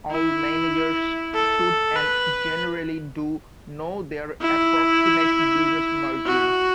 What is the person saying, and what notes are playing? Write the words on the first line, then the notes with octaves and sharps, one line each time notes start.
All managers should, and generally do, know their approximate business margins.
E4
A4
B4
E4
F#4